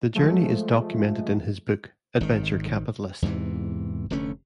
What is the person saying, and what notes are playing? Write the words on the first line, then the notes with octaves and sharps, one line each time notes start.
The journey is documented in his book Adventure Capitalist.
F3 G#3 A3
G#1 D#3
E2 G#2 C3 E3
F1 D3 A3 C#4